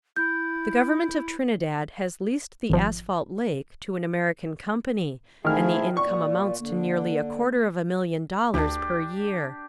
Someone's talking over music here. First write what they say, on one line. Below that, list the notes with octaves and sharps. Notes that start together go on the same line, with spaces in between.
The government of Trinidad has leased the asphalt lake to an American company and the income amounts to nearly a quarter of a million dollars per year.
E4 G6
G#1 F3
D#3 F3 A3 E4 G#4 F6
A#2 D5 C#6
D3 A#3
D2 D4 G4